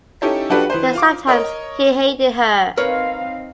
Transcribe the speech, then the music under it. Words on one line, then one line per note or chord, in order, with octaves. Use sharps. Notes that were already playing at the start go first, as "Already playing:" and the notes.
Then sometimes he hated her.
C#4 D#4 E4 G4 A4 C#5
F3 D4 F#4 G4 A4 B4
E3 B4 C5
F4 F5 D6
A#4 C#5 D#5
C4 D#4 A#4 B4 C#5 F5